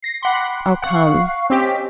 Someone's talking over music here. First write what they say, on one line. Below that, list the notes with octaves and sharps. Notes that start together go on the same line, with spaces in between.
"I'll come."
A#6 C7
F#5 G5 B5 C6 D6
F5 F#5 C#6
C4 C#4 G4 D#5 B6